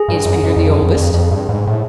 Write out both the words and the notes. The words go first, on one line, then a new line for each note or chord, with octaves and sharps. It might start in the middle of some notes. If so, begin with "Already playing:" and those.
"Is Peter the oldest?"
Already playing: G#4
G2
F#2
F#2
F2
F#2
F2
F2
F2
G2
G#2
A2